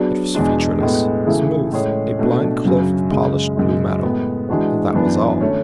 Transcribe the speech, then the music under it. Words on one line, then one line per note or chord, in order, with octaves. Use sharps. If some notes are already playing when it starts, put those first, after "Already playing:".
It was featureless, smooth, a blind cliff of polished, blue metal--and that was all.
Already playing: F#3 B3 D4 G#4 D5
E2 B2 G#3 D4
A2 G#3 B3
C#3 E3 A3 E4 G#4
A2 G#3 C#4 G#4
B2 A3 D4
F#2 C#3 F#3
F#2 C#3 G#3
F#2 C#3 G#3
A2 G#3 B3
E3 G#3 D4 F#4 B4
F#2 E3 B3 D4
D3 A3 C#4